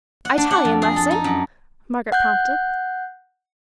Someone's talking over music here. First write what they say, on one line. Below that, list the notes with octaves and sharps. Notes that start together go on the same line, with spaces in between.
"Italian lesson," Margaret prompted.
F#5
D4
F#5
F2
G#4
A4
D#4
F#2
F#5 F#6 G6